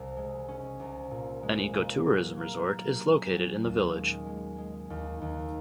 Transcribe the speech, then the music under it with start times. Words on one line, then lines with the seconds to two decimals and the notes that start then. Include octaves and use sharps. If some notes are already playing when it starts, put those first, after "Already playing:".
An ecotourism resort is located in the village.
Already playing: C2
0.17 G#3
0.48 C#4
0.80 C2
1.11 A#2
1.43 G#3
1.75 A#2
2.06 F#3
2.38 A#3
2.69 A#3
3.00 C#4
3.32 F#3
3.64 D#2
3.96 G#3
4.27 G#3
4.58 G#3
4.90 D#2
5.22 D#2